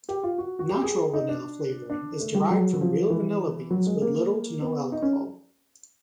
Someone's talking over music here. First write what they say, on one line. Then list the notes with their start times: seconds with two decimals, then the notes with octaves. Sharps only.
Natural vanilla flavoring is derived from real vanilla beans with little to no alcohol.
0.09 G4
0.23 F4
0.38 F#4
0.59 F#4
0.69 G4
0.83 G#4
1.13 D#4
1.29 D4
1.90 D4
2.20 A3
2.35 G3
2.50 F#3
2.73 F#3
2.81 F3
3.10 E3
3.71 F#3
3.87 G#3
4.02 A#3
4.62 B3
4.92 D#4
5.02 C#4